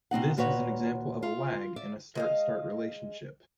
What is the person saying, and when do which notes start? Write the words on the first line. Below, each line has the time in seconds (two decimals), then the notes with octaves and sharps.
This is an example of a "lag" in a Start-Start relationship.
0.11 B2 C4 D#4 F#5
0.37 D#2 A#2 F#4 B4 C#5 F#5
1.23 F4
1.76 D5 E5
2.15 G#3 D#5 F5